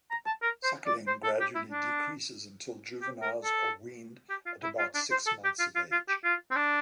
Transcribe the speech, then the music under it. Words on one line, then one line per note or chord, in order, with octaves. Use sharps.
Suckling gradually decreases until juveniles are weaned at about six months of age.
A#5
A5
A#4
C5
D5
C5
A4
G4
E4
D4
G4
A#4
A4
G4
F4
E4
F4
D4
C5
A4
G4
F4
F4
F4
G4
F4
C4
D4